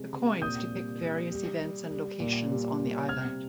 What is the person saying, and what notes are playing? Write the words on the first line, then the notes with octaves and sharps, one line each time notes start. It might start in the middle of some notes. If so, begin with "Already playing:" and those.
The coins depict various events and locations on the island.
Already playing: C3 G#3
C3
A#2 D#6 G6
G3
G3
G3
G3
G3
A#2
G3
G3
C3 F6 G#6